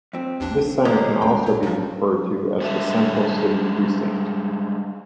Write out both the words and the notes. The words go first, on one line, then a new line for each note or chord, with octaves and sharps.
This centre can also be referred to as the Central City precinct.
F2 C4
A1 D#2 D4
G1 C#4 A#4 D#5
D#1 G#3 A#3 G5 A#5
A#1 A2 F#3
G#2 C#3 F3
G3 G#3 D4 E5